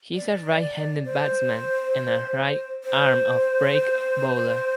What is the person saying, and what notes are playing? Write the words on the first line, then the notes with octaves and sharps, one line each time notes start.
He is a right-handed batsman and a right-arm off-break bowler.
D5
C5
C5